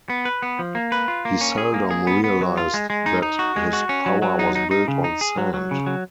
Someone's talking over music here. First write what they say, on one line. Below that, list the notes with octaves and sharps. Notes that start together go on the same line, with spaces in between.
He seldom realized that his power was built on sand.
B3
B4
B3
F3
A#3
B4
F4
A#3
C#4
G#4
A#3
G#4
B3
B3
F#3
F4
G#3
G#3
D#4
D#4
F#4
G#3
F#4
C#4
F#3
F#3
D#4
D#4
D#4
C#3
D#4
G#4
F#3
F#3
C#3
F#3